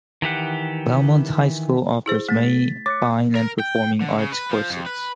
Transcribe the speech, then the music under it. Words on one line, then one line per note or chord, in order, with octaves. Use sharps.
Belmont High School offers many fine and performing arts courses.
D#3 E3 G4 F#5
E4 G#4 C5
A3 A6 B6
C#5 D6 F#6 C#7
A#4
G5
D3
C#3
B4
F3
F2
B4